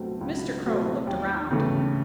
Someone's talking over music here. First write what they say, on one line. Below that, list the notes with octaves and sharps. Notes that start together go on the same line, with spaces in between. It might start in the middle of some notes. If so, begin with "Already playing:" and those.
Mr. Crow looked around.
Already playing: C#2 B2 F#3 A3 C4
C#2
B2 F#3 A3 C4
D#2
C#3 E3 A3